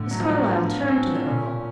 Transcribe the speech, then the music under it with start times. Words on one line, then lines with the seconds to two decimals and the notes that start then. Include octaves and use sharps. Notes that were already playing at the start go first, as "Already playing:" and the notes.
Miss Carlyle turned to the earl.
Already playing: A2 D3
0.11 F#3
0.20 F3
0.29 F#3
0.50 B3
0.80 C#4
0.88 C4
1.26 A#2 C#4